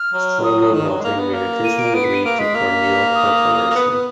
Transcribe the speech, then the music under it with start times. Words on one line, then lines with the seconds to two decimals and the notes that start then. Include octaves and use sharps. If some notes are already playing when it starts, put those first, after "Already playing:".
Stromal melting may occasionally lead to corneal perforation.
Already playing: F6
0.14 F#3
0.44 D#6
0.74 D#3
0.89 F#3
1.00 G#3
1.04 A#3
1.20 B3
1.34 A#3
1.64 D#7
1.79 D7
1.95 B3 D7
2.04 B6
2.14 D#7
2.24 A#3 D7
2.39 G#3 B6
2.55 A#3
3.15 D#6
3.71 A#3
3.76 B3
3.90 B3